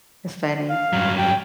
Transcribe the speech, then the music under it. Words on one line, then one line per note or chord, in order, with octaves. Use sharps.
it's funny.
F5
G2 F#3
G5